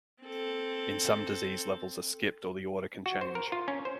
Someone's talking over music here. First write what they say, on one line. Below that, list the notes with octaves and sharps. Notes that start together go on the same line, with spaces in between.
In some disease levels are skipped or the order can change.
C4 A4
F#4
C5
A#4
F4
C#4
C5